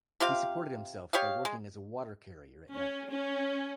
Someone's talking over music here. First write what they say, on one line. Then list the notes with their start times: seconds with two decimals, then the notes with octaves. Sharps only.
He supported himself by working as a water-carrier at night.
0.20 C3 F4 G4 F5
1.13 G4 C#5 D#5 F5
1.45 G#3
2.74 C#4
3.11 C#4